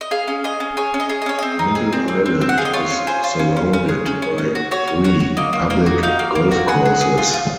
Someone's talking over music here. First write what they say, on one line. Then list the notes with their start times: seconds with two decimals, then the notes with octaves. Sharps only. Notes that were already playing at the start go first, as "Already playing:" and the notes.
Middle Island is surrounded by three public golf courses.
0.01 D#5
0.11 G#4 F5
0.28 C#4
0.44 G#4 D#5
0.60 C#4
0.77 G#4 C#5
0.94 C#4
1.00 D#5
1.09 G#4
1.22 D#5
1.26 C#4 C#5
1.39 C4 D#5
1.59 D#4
1.75 G#4
1.93 C4
2.08 C4
2.26 C4
2.41 C4
2.49 F#5
2.58 G#4 F5
2.65 D#5
2.73 F4 C#5
2.90 C#4
3.07 G#4 C5
3.24 F4
3.39 C#4
3.56 C#4
3.73 C#4
3.89 G#4
4.06 C#4
4.22 C#4
4.38 C#4
4.55 F#4
4.71 F#4 C#5
4.88 C#4
5.04 F#4 C#5
5.20 F#4
5.37 A#3 D#5
5.53 A#3
5.70 A#3 D#5
5.86 F#4
6.03 D#4 F5
6.19 A#3
6.35 A#3
6.51 F#4
6.68 G#4 F#5
6.85 G#4
7.01 G#4
7.18 F4
7.33 F4